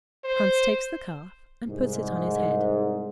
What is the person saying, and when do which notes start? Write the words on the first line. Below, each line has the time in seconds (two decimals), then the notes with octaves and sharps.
Hans takes the calf, and puts it on his head.
0.24 C5
1.68 C2 G#2